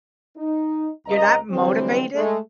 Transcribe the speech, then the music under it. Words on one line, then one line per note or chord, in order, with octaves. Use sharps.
you're not motivated?
D#4
C#2 D#5 A#5
D3 E3 F#3 G3 C4
G#3 A3